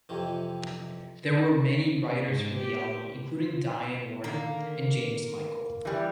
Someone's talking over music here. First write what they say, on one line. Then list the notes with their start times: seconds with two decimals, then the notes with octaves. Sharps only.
There were many writers for the album including Diane Warren and James Michael.
0.09 F2 C3 E3
2.26 G#2
2.55 G4
4.24 D3 D#3 A#3
5.85 E3 G3